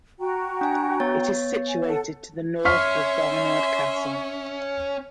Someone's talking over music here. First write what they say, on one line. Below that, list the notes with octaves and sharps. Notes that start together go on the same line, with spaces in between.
It is situated to the north of Barnard Castle.
F#4 G5 A#5
D4 G#5
B3 C#5 A6
G#5
A4 F#5
C#4 E5 C6 C#6 F6 B6